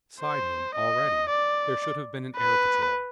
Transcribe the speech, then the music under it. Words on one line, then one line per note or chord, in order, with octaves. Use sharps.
Beside him, already, there should have been an air patrol.
C5
D#5
D5
B4